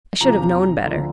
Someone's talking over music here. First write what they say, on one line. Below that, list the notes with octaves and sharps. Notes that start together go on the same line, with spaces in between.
I should have known better.
E2 C3 F3 A#5
D2 D3 F3